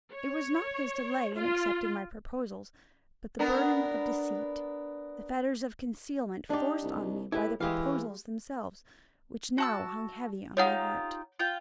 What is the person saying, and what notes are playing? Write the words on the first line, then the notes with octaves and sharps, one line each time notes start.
It was not his delay in accepting my proposals, but the burden of deceit, the fetters of concealment forced on me by the proposals themselves, which now hung heavy on my heart.
C#5
F4
B3 D4 A#4
D4 D#4 G4
C2
A2 E4 G4 B4
E3 G#3 G4 F5
F#4 A5 E6
D#4 F4 G4 C#5 F#5
F4 G5